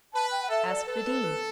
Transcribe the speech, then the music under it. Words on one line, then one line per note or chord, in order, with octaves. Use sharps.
Ask the Dean.
B4 A5
G5
F#5
A4 E5
D5
A4 B4
B4
B4